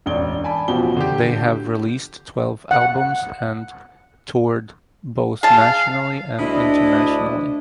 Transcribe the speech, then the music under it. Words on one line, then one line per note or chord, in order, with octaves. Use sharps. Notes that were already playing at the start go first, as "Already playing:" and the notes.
They have released twelve albums and toured both nationally and internationally.
E1 A1 D5 G7
D5 G#5 A5 B5
A1 B2 F3 F#4 G4 G7
D3 G4
F#5
G#4 F5 A5
D2 D4 E4 D#5